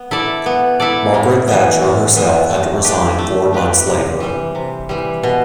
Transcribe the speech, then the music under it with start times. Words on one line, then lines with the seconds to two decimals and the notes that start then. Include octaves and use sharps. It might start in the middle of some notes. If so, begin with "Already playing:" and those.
Margaret Thatcher herself had to resign four months later.
Already playing: B3
0.11 E4 A4 D5
0.46 B3
0.80 E4 A4 D5
1.14 A2
1.48 E3 B3
1.82 A2
2.16 E3 B3
2.50 A3
2.84 D4 G4 B4
3.18 A3
3.53 D4 G4 B4
3.87 C3
4.20 E3 G3
4.55 C3
4.89 E3 G3
5.23 B2